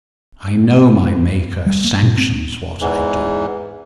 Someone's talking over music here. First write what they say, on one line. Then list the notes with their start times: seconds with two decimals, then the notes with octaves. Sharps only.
I know my Maker sanctions what I do.
1.66 G3
1.84 A#3
2.02 A#2
2.18 C4
2.81 E2 G#2 E3